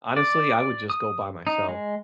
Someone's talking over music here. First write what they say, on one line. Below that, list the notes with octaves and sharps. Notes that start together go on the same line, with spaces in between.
Honestly, I would just go by myself,
D5
D#6
D#4
G#3